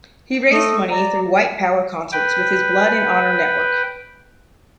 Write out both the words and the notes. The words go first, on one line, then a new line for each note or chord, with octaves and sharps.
He raised money through white power concerts with his Blood and Honour network.
A3 D#5
D5 A#5
B4 G5